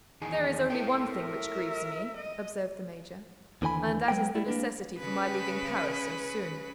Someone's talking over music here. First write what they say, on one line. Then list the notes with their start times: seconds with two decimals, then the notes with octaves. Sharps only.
"There is only one thing which grieves me," observed the major, "and that is the necessity for my leaving Paris so soon."
0.21 E2 D#3 G#4
0.70 E4 A4 G5
1.03 A#4 E5
2.16 D#5
3.62 D#2 D3 E3 G#5 B5
4.08 F#3 G#3 B3 G5
4.35 G3 A3 E4
4.46 A#3 D4 B4
4.99 C#3 B4